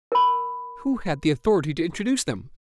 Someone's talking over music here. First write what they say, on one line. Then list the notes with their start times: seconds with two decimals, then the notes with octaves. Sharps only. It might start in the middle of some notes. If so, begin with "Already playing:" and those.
Who had the authority to introduce them?
0.12 A#4 B5